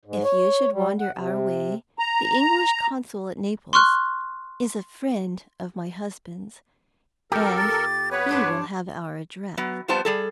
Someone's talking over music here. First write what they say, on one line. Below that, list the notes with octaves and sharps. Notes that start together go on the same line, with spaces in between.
If you should wander our way, the English consul at Naples is a friend of my husband's, and he will have our address.
G#2
C#5
G3
F#5
C3
A#5
C6 C#6 F6 F#6
F2 G4 A4 A#4
A6
B3 B4 C#5
G2 D4 C5
F#3 B3
F2 F3 G3 B3 C5 A5
G3 G#4 A4